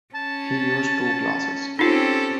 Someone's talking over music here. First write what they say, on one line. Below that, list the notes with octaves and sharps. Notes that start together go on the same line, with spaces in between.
He used two classes.
C#4 A5
C4 C#4 D#4 F4 G4 A4